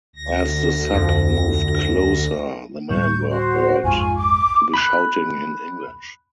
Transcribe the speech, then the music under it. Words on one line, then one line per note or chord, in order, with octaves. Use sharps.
As the sub moved closer, the men were heard to be shouting in English.
D2 A#6
F2
D2 A2 G3 C#6 G6
F#4 C5
A#1 F2 G#2 F4 G#5 C#6
D6
B5 F#6